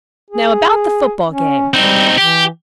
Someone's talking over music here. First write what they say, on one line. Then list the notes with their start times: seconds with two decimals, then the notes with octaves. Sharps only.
Now about the football game.
0.30 G#4
1.28 C#4
1.74 G3 C4 D#4
2.18 E3 G4